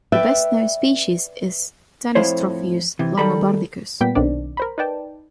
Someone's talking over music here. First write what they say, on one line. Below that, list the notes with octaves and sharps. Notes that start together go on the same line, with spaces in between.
The best-known species is "Tanystropheus longobardicus".
B4 D5 E5 G5
F2 A2 F3 E4 C5 C#5
C3 E3
D#3 G3 A4 A#5 B5
A#2 G3 B3 G5 B6
B1 D#3 C4 D4 D5
A#4 C5 B5
D#4 B4 D5 G5 A5